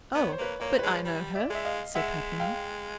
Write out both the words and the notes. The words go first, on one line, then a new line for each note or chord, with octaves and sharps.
"Oh, but I know her!" said Papillon.
B3 D5
C#5
C5
A#3 B4 C#5
A#3 C#5
C5
G#3 B4 C#5
G3
D5 E5
G#3 E5
D#5 F5
G#3 E5 F#5
F5 G5